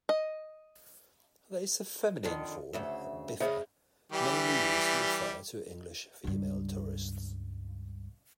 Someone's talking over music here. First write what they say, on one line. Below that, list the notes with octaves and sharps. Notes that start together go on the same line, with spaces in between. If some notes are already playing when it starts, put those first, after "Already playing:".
There is a feminine form, bifa, mainly used to refer to English female tourists.
D#5
F2 D3 D#3
D2 C#3 E5
C#3 G#4 C5 D#5 E5
E3 G3 G4
C#2 G2